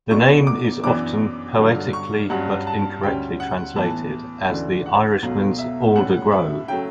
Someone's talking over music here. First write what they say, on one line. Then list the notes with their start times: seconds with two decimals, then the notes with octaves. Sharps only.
The name is often "poetically", but incorrectly, translated as "The Irishman's Alder Grove".
0.10 B2 F#3 A3 D4 C#6
0.47 D6
0.84 F#2 E3 B3 D4 D6
1.57 G2 D3 F#3
1.93 C#6
2.30 G2 F#3 C#4 F#5
2.67 A5
3.03 D2 C#3 G3 C#4 G5
3.40 F#5
3.76 A2 E3 B3 A5
4.49 D2 C#3 E3 A3 D4
4.86 F#5
5.22 C#2 B2 F#3 A3
5.58 E5
5.96 A2 G3 C#4 F#5
6.32 E5
6.68 C#3 F#3 A3 G5